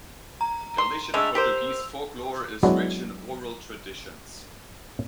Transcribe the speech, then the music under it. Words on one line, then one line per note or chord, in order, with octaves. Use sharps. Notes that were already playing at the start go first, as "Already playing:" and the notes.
Galician-Portuguese folklore is rich in oral traditions.
A#5
C6
D3 G#3 A3 E6 F7
G4 A#4 C5
F#3 G#3 B3 D4 E4 F#4